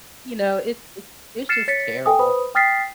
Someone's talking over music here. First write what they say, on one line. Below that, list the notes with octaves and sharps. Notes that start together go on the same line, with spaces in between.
You know, it it's it's just terrible.
F6 A6 C7 C#7 E7
C#5 A6 B6 C#7
A4 G5 G#5 D#6
B4 C5 B5 D#6
G5 D#6 F6 A6 B6 C7